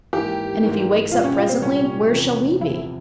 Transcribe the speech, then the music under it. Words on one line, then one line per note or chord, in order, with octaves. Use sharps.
And if he wakes up presently, where shall we be?
G#2 E3 A#3 E4 G4
G#2 E3 A#3 E4
C2 A#2 G3 F4
C#4
F4
C4
C2 A#2 G3 C#4
E2 C3 F3
E2 C3 F3 E4